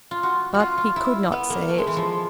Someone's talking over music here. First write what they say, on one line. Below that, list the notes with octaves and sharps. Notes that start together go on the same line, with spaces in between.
But he could not say it.
F4
F#4
F#4
F4
F4
E4
B3
A#3
A3
G#3
E3
F3